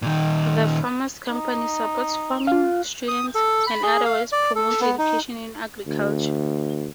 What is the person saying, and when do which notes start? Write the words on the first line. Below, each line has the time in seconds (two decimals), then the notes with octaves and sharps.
The Farmers' Company supports farming students, and otherwise promotes education in agriculture.
0.02 A#2 D#3
1.30 D#4
2.47 F4 F5
3.08 D#6
3.35 A4
3.67 B5
3.83 G#4
4.05 F5
4.32 D5
4.56 A4
4.81 B3
4.98 D#4
5.87 D2